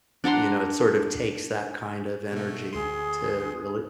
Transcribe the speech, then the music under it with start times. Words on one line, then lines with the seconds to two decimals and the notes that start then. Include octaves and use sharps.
You know, it sort of takes that kind of energy to really
0.24 D4 F#5 A#5 C6
2.32 B2 A3
2.73 D2 G#4 C6